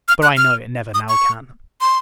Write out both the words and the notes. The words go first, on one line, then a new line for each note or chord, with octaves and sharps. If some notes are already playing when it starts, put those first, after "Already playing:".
But, I know, it never now can.
F6
F#6
F6
D#6
C#6
C6